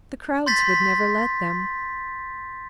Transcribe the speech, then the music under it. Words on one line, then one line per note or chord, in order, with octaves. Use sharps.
The crowds would never let them.
C6 G6 A6 B6